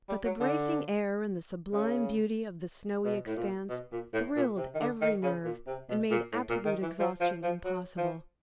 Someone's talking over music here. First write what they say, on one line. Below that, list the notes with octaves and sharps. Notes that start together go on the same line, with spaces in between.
But the bracing air and the sublime beauty of the snowy expanse thrilled every nerve and made absolute exhaustion impossible.
G3
F#3
D3
C#3
B2
A2
A#2
B2
A#2
A2
A#2
C3
D#3
D3
D#3
C#3
A#2
C3
B2
A#2
A2
A#2
D#3
E3
F3
F3
F3
F#3
F3